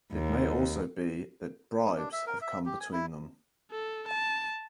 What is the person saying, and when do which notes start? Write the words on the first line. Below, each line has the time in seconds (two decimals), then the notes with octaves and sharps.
It may also be that bribes have come between them.
0.13 D#2
1.97 D4
2.12 E5
2.27 A#4
2.42 E5
2.66 G4
2.80 G#5
2.92 E4
3.71 A4
4.08 A5